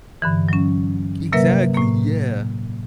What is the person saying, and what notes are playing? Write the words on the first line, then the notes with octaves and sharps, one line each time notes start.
Exactly, yeah,
G2 D3 E3
F#3 C#4
C3 F#3 A#3 A#4 B4 E5
A2 A#3